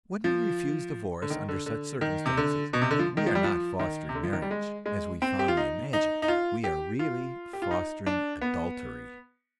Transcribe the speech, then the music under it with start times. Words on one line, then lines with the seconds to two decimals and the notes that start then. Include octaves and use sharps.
When we refuse divorce under such circumstances we are not fostering marriage, as we fondly imagine; we are really fostering adultery.
0.24 F3
1.22 D3
1.30 D#3
1.49 D3
1.66 D3
2.01 D#3
2.26 C3
2.37 D3
2.73 B2
2.81 C3
2.91 D3
2.99 F3
3.17 D#3
3.26 F3
3.35 G3
3.44 F3
3.79 D#3
4.09 C3
4.15 D3
4.23 F3
4.33 D#3
4.42 G3
4.51 G#3
4.86 G#3
5.22 C4
5.39 G4
5.48 F4
5.57 D#4
5.93 D#4
6.22 D#4
6.28 F4
6.64 G4
6.99 F4
7.53 G4
7.62 F4
7.71 D#4
8.06 D4
8.41 B3